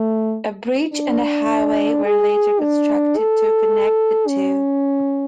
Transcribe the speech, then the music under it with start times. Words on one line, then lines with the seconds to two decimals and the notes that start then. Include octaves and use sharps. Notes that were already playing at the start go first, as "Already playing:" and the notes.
A bridge and highway were later constructed to connect the two.
Already playing: A3
0.93 D4
2.05 G#4
2.60 D4
3.17 A4
4.28 C#4